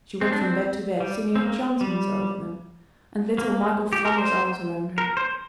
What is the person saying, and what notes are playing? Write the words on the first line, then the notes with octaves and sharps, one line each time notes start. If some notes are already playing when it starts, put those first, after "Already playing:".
She went from bed to bed singing enchantments over them, and little Michael flung his arms round her.
C4
D4
C4
G3
C4
A#3
G3
A#3
G4
A#4
C5
A#4
C5